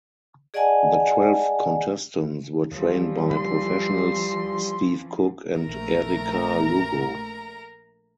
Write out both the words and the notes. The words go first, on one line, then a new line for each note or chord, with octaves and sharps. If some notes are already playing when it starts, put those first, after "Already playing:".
The twelve contestants were trained by professionals Steve Cook and Erica Lugo.
G#4 D5 D#5 F#5 G#5 A5
D#2 E3 F3 G3
C6
A#1 A3 A#4 A#5